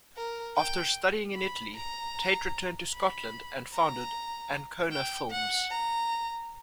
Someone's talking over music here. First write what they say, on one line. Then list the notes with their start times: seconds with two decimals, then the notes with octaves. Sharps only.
After studying in Italy, Tait returned to Scotland and founded Ancona Films.
0.17 A#4
0.57 G5
1.36 B5
1.75 A#5
2.94 B5
3.73 A#5
4.92 G5
5.31 F#5
5.70 A#5